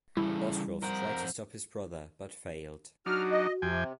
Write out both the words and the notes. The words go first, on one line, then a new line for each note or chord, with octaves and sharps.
Oswulf tried to stop his brother, but failed.
C#3 E3 G3 A3 E4
F2 A#4 C5 F#5
F#3 D4 D#4 F#4 F6
D#5
F2 C3 G5 G#5